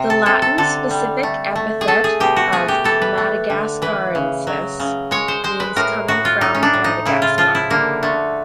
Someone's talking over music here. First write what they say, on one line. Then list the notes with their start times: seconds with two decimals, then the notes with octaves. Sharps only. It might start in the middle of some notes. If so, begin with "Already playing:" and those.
The Latin specific epithet of "madagascariensis" means coming from Madagascar.
Already playing: C3
0.10 A4
0.26 C3 A4
0.42 A4
0.58 D3 A4
0.91 G3
1.23 A3
1.55 A3
1.81 G#4
1.88 A3 A4
2.04 G#4
2.20 B2 G4
2.36 F#4
2.52 A3 G#4
2.68 G4
2.84 E3 A4
3.02 B4
3.18 A3
3.50 D3
3.82 E3 B4
4.15 C#3
4.47 F#3
4.80 C#3
5.11 G#3 C#5
5.28 C5
5.44 G#3 C5
5.60 B4
5.76 A2 A#4
6.08 A2 F#4
6.25 F4
6.41 A2 D#4
6.55 C#4
6.63 D4
6.74 A2
6.84 D#4
7.05 C#3 E4
7.22 F4
7.38 F3 F4
7.55 E4
7.70 D3 A#3
8.03 D3 A3